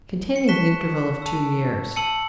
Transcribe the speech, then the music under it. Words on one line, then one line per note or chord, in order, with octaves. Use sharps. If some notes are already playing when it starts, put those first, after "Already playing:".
Containing The Interval Of Two Years.
C#7
A5 C#6 F#6 B6 E7
A5 C#6 E6
A5 E6 C#7 F#7